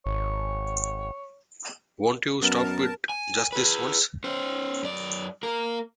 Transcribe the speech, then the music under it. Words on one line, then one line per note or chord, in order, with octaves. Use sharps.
Won't you stop it just this once?
G#1 C#5
F#2 B3 A#4 A5
G#5
G#4 B4
C#4 C5
F#2 D5
A#3 A#4